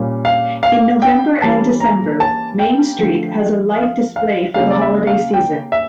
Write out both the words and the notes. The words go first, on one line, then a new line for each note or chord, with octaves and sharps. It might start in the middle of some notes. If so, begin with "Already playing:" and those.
In November and December, Main Street has a light display for the holiday season.
Already playing: A#2 G3 C#4
F5
F5
G5
E3 G3 A#3 C#4 A5
A#5
A5
G5
D3 F3 A3
F5
F5
C#3 G3 A#3 C#4 F5
D5
E5
F5
G5
E5